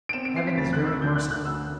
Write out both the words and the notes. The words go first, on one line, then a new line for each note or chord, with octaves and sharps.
Heaven is very merciful.
D7
C4 E7
D7
C4 C7
B6
D2 A6
F#6
D3
E6
D2 G6
F#6
D3
F#6
D2 E6